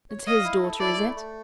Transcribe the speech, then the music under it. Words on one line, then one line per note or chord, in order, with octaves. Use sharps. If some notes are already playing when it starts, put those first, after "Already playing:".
It's HIS daughter, is it?'
C#5
D#5 F5
E4
A4
E4 D5
A3
A3